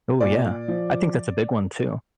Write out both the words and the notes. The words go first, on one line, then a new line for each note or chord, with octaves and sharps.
Ooh yeah. I think that's a big one too,
A#2 D5
F3